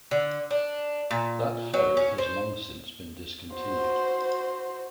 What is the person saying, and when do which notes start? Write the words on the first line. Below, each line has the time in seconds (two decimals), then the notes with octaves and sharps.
That ferry has long since been discontinued.
0.11 D3
0.51 D4
1.11 A#2
1.74 F#3
1.97 C#4
2.18 C5
3.55 F#4 C5